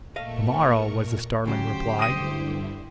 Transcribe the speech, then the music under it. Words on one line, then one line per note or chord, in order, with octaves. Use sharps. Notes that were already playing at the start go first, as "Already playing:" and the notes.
"To-morrow," was the startling reply.
A#2 A3 A#4 D#5 F5 C#6
D2 C#3 F#3 G4 C5 B6
G2 D3 E4 D#6 A#6 D#7